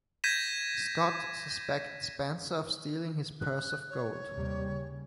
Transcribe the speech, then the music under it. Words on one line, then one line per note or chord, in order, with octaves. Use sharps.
Scott suspected Spencer of stealing his purse of gold.
G6 G#6 A#6 B6 D#7 E7
F#6
C#5
D#2 C3 G3
C#3